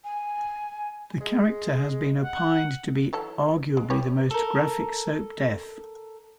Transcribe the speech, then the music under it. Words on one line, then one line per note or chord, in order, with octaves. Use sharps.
The character has been opined to be "arguably the most graphic soap death".
G#5
G#3
F#5
E3 F#3 A4
G#3
G4 B4 C#5
A4 A#4